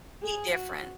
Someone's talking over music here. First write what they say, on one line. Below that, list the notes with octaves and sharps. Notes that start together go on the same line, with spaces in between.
be different
G#4
F#4